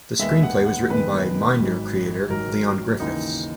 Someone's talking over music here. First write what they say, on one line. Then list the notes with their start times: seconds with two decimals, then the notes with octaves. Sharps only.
The screenplay was written by Minder creator Leon Griffiths.
0.19 E1 D#2 D#3 G#3 B3 E5
0.43 F#5
0.66 F#5
0.90 E1 D#2 D#3 G#3 B3 B4
1.60 G#1 G#2 F#3
2.30 G#1 G#2 F#3 A#4
3.00 D#2 C#3 E3 D#4